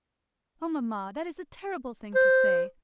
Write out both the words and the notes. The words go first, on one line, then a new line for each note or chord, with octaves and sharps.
Oh, mamma, that is a terrible thing to say.
C5